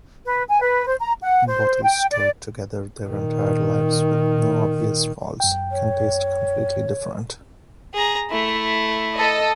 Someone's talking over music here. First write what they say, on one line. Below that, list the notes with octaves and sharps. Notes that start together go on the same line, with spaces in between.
Bottles stored together their entire lives, with no obvious faults, can taste completely different.
B4
G#5
B4
C5
A#5
F#5
C5
G5
D5
A#2 D#3
F#2 G5
C#5
G#4 A#5
A3 E4
A4 D#5